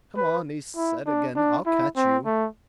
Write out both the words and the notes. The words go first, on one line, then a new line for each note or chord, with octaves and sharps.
"Come on!" he said again; "I'll catch you."
B4
E4
D4
D4
E4
C4
A3